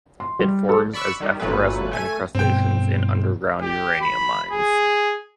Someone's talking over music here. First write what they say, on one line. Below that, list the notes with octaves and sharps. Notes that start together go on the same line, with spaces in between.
It forms as efflorescent encrustations in underground uranium mines.
C6
G3
A4
D5 B5 C#6 E6 F#6
D#3 G3
G1 A#2 F#3 A3 B4
A3 G#5 D#7
G2 B2 A3 C4 G5
G4
B5
G#4